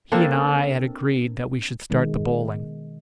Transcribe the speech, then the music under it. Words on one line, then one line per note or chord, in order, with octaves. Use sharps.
He and I had agreed that we should start the bowling.
A#3 C4 D4 A4
B2 D#3 G#3